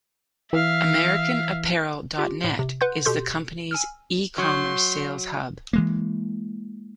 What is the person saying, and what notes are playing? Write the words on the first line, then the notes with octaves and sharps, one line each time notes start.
AmericanApparel.net is the company's e-commerce sales hub.
E3 E5 F5
F4 G4
A2
C3
B4 F#5 C6 G6
B2 G4 A4 C6 G6
G#5 E6 F6
F#3 C6 C#6 G6
E3 G#3 A#3